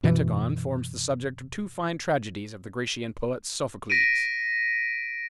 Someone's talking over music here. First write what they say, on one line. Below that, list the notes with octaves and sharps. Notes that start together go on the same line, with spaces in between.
Antigone forms the subject of two fine tragedies of the Grecian poet Sophocles.
F#2 B2 E3
A#6 B6 D7 D#7